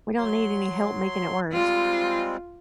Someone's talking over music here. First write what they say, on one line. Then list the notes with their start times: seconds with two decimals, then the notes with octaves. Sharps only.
We don't need any help making it worse.
0.18 F#3 C6
1.52 G3 G#3 C4 F4